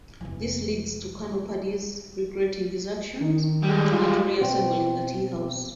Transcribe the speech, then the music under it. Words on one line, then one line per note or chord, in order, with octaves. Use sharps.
This leads to Colonel Purdy's regretting his actions and to reassembling the teahouse.
F1 E3
D#3
G3 G#3
F4
B2 C4 G5